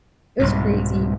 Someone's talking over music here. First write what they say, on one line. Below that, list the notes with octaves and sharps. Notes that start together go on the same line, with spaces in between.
it was crazy.
C2 G#2 B2